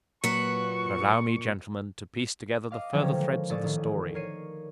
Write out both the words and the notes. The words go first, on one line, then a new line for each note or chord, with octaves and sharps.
But allow me, gentlemen, to piece together the further threads of the story.
A#2 F#3 B4 C#6 C#7
D#5 F5 D6
B1 D3 D#3 F3 C#5 G5
G#3 A#3
A1 A2 A4 D5 D#6
D#3
A#4 C#5 C7 D#7